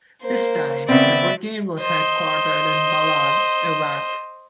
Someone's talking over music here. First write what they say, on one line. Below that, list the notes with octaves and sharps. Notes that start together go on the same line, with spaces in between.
This time, the brigade was headquartered in Balad, Iraq.
A#3 C5
C#3 B3 C4 D5 E5
C5 D#5